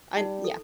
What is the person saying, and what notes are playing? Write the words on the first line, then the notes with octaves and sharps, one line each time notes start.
I n Yeah.
G3 D#4
A4